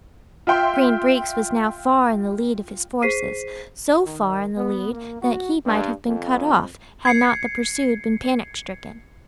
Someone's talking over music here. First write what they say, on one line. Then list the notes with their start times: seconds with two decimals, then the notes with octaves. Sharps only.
Green Breeks was now far in the lead of his forces, so far in the lead that he might have been cut off had not the pursued been panic-stricken.
0.47 F4 E5 G5 C6
3.02 G#4 C5 B6 C7 D#7
4.05 D#3
4.57 B3
4.92 A#3
5.22 F#4
5.65 G2
6.07 F2
7.05 G#6 C7 C#7